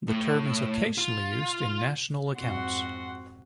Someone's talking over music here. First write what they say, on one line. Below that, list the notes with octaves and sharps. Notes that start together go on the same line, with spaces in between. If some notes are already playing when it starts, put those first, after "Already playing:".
The term is occasionally used in national accounts.
A2
F4
F2 G#2 C4 F#4 F#5 C6